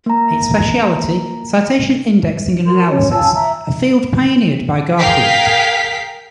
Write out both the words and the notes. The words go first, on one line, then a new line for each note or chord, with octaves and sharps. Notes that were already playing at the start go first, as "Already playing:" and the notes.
Its specialty: citation indexing and analysis, a field pioneered by Garfield.
A#3 A#5
F#4 A#4 C6
C#4 C#5
F4 G#5 A5 E6
E5 A#5
G#4 A#4 F5 G5 B6 C7